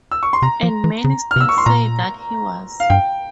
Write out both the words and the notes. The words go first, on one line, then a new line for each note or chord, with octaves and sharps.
And many still say that he was.
E6
C#6
C6
C3 A#5
F3
E3
C#3
F6
C3
E6
C#6
C6
A#2 A#5
F5
G2 G5